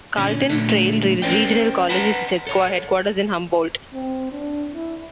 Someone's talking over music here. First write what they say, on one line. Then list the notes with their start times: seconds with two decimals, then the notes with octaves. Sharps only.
Carlton Trail Regional College has its headquarters in Humboldt.
0.17 A#2 D3 C#4
0.50 A#2 D3 A3
1.22 C#4 A#4 C5 D5 G5
1.89 B4 F#5 A5 A#5 C6
2.47 A4 C#5
3.93 C4
4.32 D4
4.74 E4